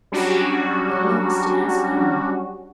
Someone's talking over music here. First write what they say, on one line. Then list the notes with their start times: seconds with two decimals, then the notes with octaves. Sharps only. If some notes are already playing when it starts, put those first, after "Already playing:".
"At last, it has come!"
0.12 F#3 G3 C#4 D4 F#4